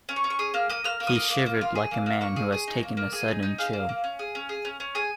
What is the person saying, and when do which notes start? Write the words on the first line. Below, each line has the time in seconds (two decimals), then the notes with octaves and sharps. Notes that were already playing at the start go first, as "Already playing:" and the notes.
He shivered like a man who has taken a sudden chill.
0.09 C#4
0.16 C#6
0.24 C#4
0.30 C#6
0.39 G#4 D#6
0.54 A#3 F6
0.70 A#3 D#6
0.84 A#3 F6
1.00 A#3
1.07 D#6
1.15 A#3
1.30 A#3
1.46 A#3
1.61 F4
1.75 G#4
1.91 A#3
2.06 A#3
2.21 A#3 C#6
2.36 G#4
2.52 G#4
2.68 D#4
2.83 A#3
2.97 A#3
3.12 G#4 G#5
3.28 D#4
3.43 D#4
3.58 G#4 F5
3.73 A#3
3.89 A#3
4.04 C#4
4.19 G#4
4.35 C#4
4.49 G#4
4.65 C#4
4.80 C#4
4.95 G#4 G#5